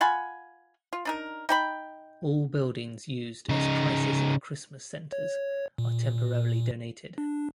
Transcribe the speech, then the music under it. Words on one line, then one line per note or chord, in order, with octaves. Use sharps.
All buildings used as Crisis at Christmas Centres are temporarily donated.
F4 F#5 G#5 B5
F4
D4 D#4 A#4
D#4 G5 B5
C#3 D#4
C#5
A#2
D4